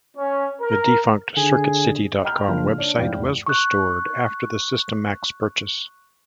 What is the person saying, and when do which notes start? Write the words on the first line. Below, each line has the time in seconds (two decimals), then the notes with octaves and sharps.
The defunct CircuitCity dot com website was restored after the Systemax purchase.
0.16 C#4
0.61 A#4
1.37 D3 G#4
2.24 D#5 G5 A#5 B5 F6
2.48 C#3 F3 G#3 A#3 D4
2.78 D4 C#5 D5
2.99 F1 G#2 E4 D5 F5 G5
3.15 E2 G#2
3.46 C#6 F#6